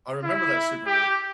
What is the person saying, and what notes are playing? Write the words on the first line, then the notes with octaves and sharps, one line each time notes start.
I remember that Super Bowl.
E4
G4